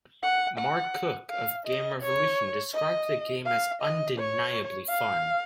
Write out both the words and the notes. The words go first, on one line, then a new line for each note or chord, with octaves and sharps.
Mark Cooke of Game Revolution described the game as "undeniably fun".
F#5
F#5
F5
D#5
C#5
D#5
F5
D#5
C#5
F5